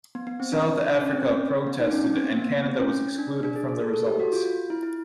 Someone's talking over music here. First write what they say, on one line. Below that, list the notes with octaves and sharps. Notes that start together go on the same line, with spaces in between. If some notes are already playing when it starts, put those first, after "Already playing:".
South Africa protested, and Canada was excluded from the results.
B3
B3
C4
D4
D4
C#4
C4
C#4
B3
D#4
D4
C#4
C#4
C4
B3
A#3
B3
C4
C#4
D4
D4
G#4
G#4
A4
A4
G4
F#4
F4
E4
E4